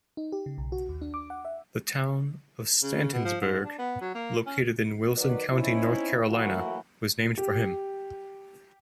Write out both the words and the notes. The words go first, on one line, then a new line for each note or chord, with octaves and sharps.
The town of Stantonsburg, located in Wilson County, North Carolina, was named for him.
D#4
G4
C#3
B1
F#4
D#2
D4
D6
F#5
E5
C#3
B2
F3
G#2
D4
B3
F#3
A#3
C#4
D#3 F#3 B4 D5
C4 C#4 D#4 E4
E3 F#3 A3 A#3 E4 F#4
G4